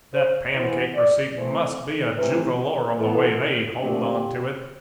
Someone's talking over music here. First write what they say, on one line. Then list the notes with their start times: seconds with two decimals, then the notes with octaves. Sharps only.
That pancake receipt must be a jookalorum, the way they hold on to it.'
0.13 C5
0.53 E3 B3 C5
0.94 D5
1.35 E3 A3 C4 C5
2.16 C3 E3 A3 C4 B4
2.97 E3 B3 A4
3.79 D3 F3 A3 C4 G4